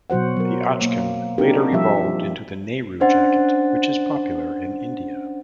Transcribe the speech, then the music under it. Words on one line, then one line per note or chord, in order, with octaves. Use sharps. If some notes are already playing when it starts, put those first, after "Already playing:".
The achkan later evolved into the Nehru Jacket, which is popular in India.
B2 F#3 F#4 C5 F#5
F#3 A#4
A#3
C4 D4 D#4 F#4 G4 A#4
F3 G3 E5
C#4 D4 C5 F#5 A6